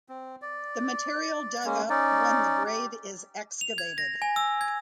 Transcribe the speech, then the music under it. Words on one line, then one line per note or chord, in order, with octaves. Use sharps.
The material dug up when the grave is excavated.
C4
D5
G#3 A#3 C#4
C#4 D#4 D5
G4
F7
G#6
A#6
G#5
E6
G#6